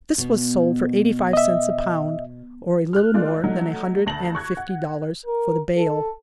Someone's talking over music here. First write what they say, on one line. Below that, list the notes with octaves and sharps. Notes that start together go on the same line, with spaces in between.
This was sold for eighty-five cents a pound, or a little more than a hundred and fifty dollars for the bale.
B2
D#5 E5
F6 F#6
G#3 A3 F4 D5
F#3 A3 D#4
D2 A5 A#6 F#7
C#6 F#6 G#6
F#5
A#4
A4